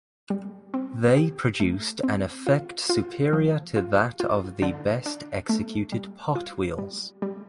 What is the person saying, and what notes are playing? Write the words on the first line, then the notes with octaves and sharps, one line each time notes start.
They produced an effect superior to that of the best executed pot wheels.
G3
C4
G4
A3
C4
F4
F4
F3
F4
F4
D3
D4
A3
G3
F4
G3
G3